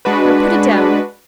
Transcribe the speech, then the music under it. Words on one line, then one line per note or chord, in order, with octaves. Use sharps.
Now put it down.
G#3 D4 F#4 B4